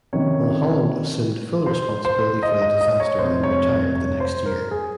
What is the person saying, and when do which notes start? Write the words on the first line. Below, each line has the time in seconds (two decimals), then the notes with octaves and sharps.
Mulholland assumed full responsibility for the disaster and retired the next year.
0.13 C3 D#3 F#3 A#3 C#4 C#5
1.66 C5
2.05 C5
2.43 D#5
2.62 D#5
2.81 D#5
3.00 C#5
3.18 F1 F2 C3 C5
3.43 C#5
3.70 C#5
3.95 C#5
4.20 C5
4.46 A#4
4.71 G#4